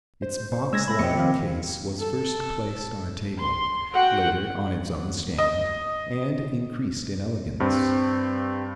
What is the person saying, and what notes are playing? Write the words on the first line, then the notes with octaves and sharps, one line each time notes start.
Its box-like case was first placed on a table, later on its own stand, and increased in elegance.
C5
C#3 G#3 E6 G#6 A#6
B5
F2 C3 G4 D#5 C#7
D#3 F3 C4 F5
A4
C6
F#4 F#5 G5
D#5
G2 C4